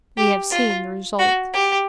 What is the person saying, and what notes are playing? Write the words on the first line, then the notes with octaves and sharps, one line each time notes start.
We have seen the result.
G4
F4
F#4
G4